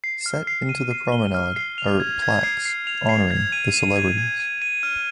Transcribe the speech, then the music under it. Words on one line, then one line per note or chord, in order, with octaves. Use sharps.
Set into the promenade are plaques honouring the celebrities.
C7
F6
C7
D#7
C7
G7
F6
C7
F7
G#6
G#6
C7
C7
F7
C7
G#6
D#7
D#7
G#6
G#6
D#7
D#7
F6